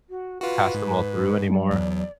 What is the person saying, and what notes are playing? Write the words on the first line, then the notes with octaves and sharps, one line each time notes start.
pass them all through anymore.
F#4
F4 F#4 B4
G#2
F#3 D5
E2